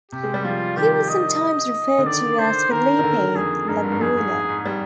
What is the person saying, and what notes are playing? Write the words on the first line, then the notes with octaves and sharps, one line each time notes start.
He was sometimes referred to as Philippe Lagrula.
C3 G4
G#3
G3
F3 F4
D#3 G4
D#5
D3
D#3 D5
D3 C5
D#3 A#4
D#3
D3
F2 G#4
G2 A#4
G#2
G2
F2 G#4
G#2
G#2
G3